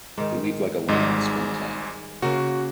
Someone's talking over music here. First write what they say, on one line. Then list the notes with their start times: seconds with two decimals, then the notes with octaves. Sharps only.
He leaped like a lamb in springtime.
0.18 G#2 D#3
0.88 G#1 G#2 G3 G#3
2.22 C#3 A#3 C#4 F#4